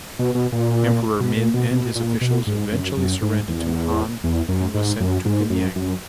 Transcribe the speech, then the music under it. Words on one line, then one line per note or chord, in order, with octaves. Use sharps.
Emperor Min and his officials eventually surrendered to Han and was sent to Pingyang.
B2
B2
A#2
B2
A#2
B2
B2
A#2
B2
G#2
F#2
F#2
G#2
E2
E2
F#2
G#2
F#2
G#2
F#2
F#2